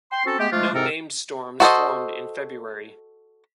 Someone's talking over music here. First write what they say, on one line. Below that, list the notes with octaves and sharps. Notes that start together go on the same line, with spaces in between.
No named storms formed in February.
G5 C6
C4 C#4 F#4 A4
G#3 A3 B3 G4
F3 G#3 A3 D4 F4
G#2 C3 C4 A4 A#4
F#4 A4 C5 D#5